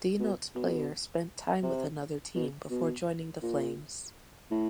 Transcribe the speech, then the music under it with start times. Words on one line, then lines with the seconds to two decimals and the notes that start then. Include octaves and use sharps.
Denotes player spent time with another team before joining the Flames.
0.20 B2
0.55 B2
1.63 C3
2.35 B2
2.71 B2
3.42 A#2
4.51 A2